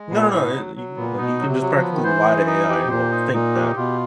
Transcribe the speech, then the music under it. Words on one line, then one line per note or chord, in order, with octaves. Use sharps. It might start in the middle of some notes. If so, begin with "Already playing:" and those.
"No, no, it" y like, you can just practically lie to AI and it'll think that
Already playing: G#3
A#2 B3
A2 D#4
F#3
F#3
A#2 B3
B2 D#4
F#3
C3
F#3
F3
B3
D#3
E3 C5
D#4
D#4
G4
B2
A#2 C5
D#4
A#2 D#4
G4
B2 F4